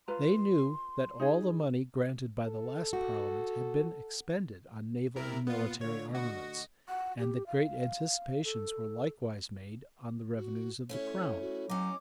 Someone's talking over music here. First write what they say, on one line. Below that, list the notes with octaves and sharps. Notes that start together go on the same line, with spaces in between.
They knew that all the money granted by the last parliament had been expended on naval and military armaments; and that great anticipations were likewise made on the revenues of the crown.
F4 B4 A#5 C6
D#4 G#4
A4
F#4
C3 E4 A#4
A#2 B3 F4
D3 A3 F4 C#5
F#4 D#5
F#5
G4
F5
A4
F#4
A3 C#4 E4 C#5
F#4
F#3 C#4 D#5 D6